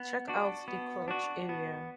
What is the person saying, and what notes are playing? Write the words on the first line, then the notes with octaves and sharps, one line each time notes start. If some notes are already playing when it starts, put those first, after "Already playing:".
Check out the crotch area.
Already playing: B3
D4 F#4
B3
D4 F#4
B3